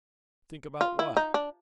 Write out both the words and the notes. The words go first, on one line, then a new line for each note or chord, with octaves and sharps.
"Think about what?"
F4
E4
D#4
D4